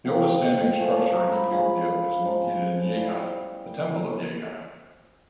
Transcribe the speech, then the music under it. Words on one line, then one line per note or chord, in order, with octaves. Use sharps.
The oldest standing structure in Ethiopia is located in Yeha: the Temple of Yeha.
A3 C4 F4 G5
G5
A3 C4 F4 G#5
A5
A#5
B5
F3 G#3 C#4 F4 B5
F3 G#3 C#4 F4
G3 B3 E4